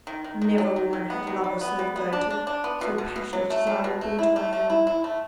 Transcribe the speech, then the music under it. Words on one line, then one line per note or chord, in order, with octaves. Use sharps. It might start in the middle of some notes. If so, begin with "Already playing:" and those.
Never woman had lover so devoted--so passionate as I will be to Ione.
D#3
D#3
D#3
F#3
D#3
D#3
B3
D#3
G3
B3
G3
B3
D4
D4
D4
B3
B2
B2
B2
F#3
A3
F#3
B2
A3
E4
A3
A3
E4
E4
A3